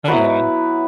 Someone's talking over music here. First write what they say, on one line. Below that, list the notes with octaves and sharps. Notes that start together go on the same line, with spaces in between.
Oh, yeah.
F#3 B3 E4 B4